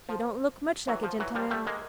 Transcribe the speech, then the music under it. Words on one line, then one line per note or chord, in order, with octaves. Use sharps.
"He don't look much like a gentleman."
F3
E3 F#3
F3
E3 F#3
F3 G3
G3 A3
G#3 A#3